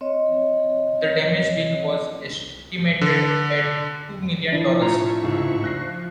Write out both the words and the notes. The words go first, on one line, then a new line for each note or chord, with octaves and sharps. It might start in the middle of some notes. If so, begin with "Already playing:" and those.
The damage bill was estimated at two million dollars.
C4 C#5 D#5
D3
F3 D4 E4
A2 F4 E5 A#5 C#6
C#2 G#2
F3 F#6 A#6 C7